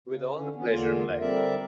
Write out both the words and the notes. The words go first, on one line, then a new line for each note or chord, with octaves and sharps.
With all the pleasure in life.
C#3
D3 C#4
E3 B3 C#4
E2 D3 A#3 F4
D3 G3 C4 A#4 D5 E5